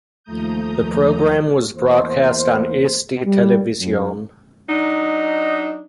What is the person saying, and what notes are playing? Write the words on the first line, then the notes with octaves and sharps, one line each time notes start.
The programme was broadcast on Eesti Televisioon.
D#2 F3 A3 A#5 D#6 G6
E2 A#3 C5
G3
F#2
F#3 D4 D#4